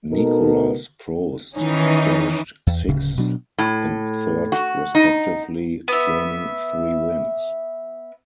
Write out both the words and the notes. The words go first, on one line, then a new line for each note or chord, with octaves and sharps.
Nicolas Prost finished sixth and third respectively, claiming three wins.
B2 B3 D#4 A4 A#4
D#3 E3 C#4 D#4
E2
D1 D2 C#3
B2 F#3 D4
A2
F#4
D#4
B3 E5